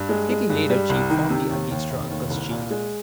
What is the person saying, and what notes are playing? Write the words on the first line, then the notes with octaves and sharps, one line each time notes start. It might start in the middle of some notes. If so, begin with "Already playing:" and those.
Kitty laid her cheek fondly against her uncle's cheek.
Already playing: G2
G#3
G#3
G2
G3
C2
D#3
C3
D#2
D#2
F1
D#2
C2
A#2
G#3